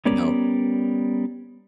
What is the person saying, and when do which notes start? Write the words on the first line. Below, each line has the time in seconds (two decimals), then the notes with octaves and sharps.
you know,
0.05 G3 B3 C#4 A#4 D5